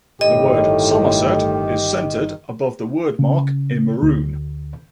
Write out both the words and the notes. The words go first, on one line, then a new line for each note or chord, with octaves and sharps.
The word "Somerset" is centered above the wordmark in maroon.
G1 A2 D#3 G4 D#5
C#3
D2